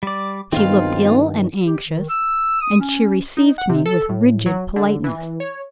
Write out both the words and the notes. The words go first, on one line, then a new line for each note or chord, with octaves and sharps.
She looked ill and anxious, and she received me with rigid politeness.
G3 D5
B1 G2 D#3 C4 F4 F5
G4
D#3
E6
D#6
C#4
D#4
F#5
C3
A4
A2
F#3
D3
E3
C#5